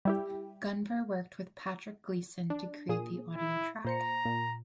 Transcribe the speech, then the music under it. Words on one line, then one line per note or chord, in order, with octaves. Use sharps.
Gunvor worked with Patrick Gleeson to create the audio track.
G3 E4 G4
D4
A#2 G#4 D#6
E4
A#2 C5 A#5 C#7
A#2